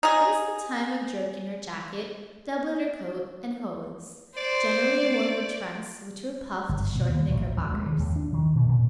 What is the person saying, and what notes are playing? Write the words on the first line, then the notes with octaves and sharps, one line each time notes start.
It is the time of jerkin or jacket, doublet or coat, and hose--generally worn with trunks, which were puffed, short knickerbockers.
D#4 G#4
C5 D5
G1
B2
D#2
A1
D2
G#3
D#3
D#2
D4
D#3
A#2
A#2